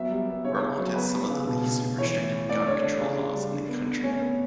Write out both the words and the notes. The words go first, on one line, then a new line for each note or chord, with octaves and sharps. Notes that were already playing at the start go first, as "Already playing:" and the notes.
Vermont has some of the least restrictive gun control laws in the country.
Already playing: F#3 B3 E5
G3
B3
C#3 C#5
C#3
F#3
B3 B4
G3
C#3
B2
B2
B2
E3 C#5
A2
E3
A3 D5
D3 C#5
D3 D4
C#3
C#3
G3
D3
B3
D3
A2 C#4
B3